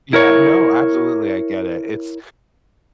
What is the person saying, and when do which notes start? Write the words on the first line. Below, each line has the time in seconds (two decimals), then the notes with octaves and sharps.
Yeah, no, absolutely. I get it, it's
0.13 E4 A#4 C#5